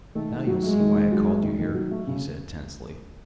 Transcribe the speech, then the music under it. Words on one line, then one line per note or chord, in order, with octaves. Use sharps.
"Now you'll see why I called you here," he said tensely.
D#3 A3
D#3
F#3
G#3 A3
D#3
D#3
F#3
A3
D#3
D#3
F#3
A3
C#3